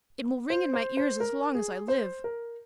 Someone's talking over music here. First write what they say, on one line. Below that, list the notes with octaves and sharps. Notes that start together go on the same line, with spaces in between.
It will ring in my ears as long as I live.
C5
C5
C5
A#4
G#4
C5
A#4